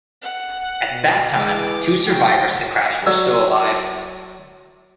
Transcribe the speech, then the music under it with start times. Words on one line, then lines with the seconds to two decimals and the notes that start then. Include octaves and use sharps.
At that time two survivors of the crash were still alive.
0.22 F#5
0.90 B2
1.35 E3 G#3 D6
2.06 F#3 F#4 G5
3.06 F#3 A4 D5 E6